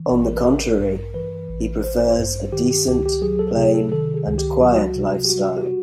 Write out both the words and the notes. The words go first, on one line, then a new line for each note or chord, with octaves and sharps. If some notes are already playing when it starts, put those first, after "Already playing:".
On the contrary, he prefers a decent, plain and quiet lifestyle.
Already playing: E3
A1 D5
A#4
B4
A1 A#4
G2
E3 B4
A1
A1 C5
G2
D#3 G4
G4
C#2 G4
G4
F#3 G#4
A4
C3 G#4
A4
D#3 A4
G#4
C#2
G4
F#3 F#4
C3
G4
G3 F#4
G4
F#4